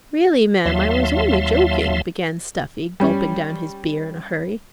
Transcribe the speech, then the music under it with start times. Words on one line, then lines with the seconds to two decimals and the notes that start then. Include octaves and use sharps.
'Really, ma'am, I was only joking,' began Stuffy, gulping down his beer in a hurry.
0.65 D#2 F#3 E5 F5 A5 C6
3.00 G3 C#4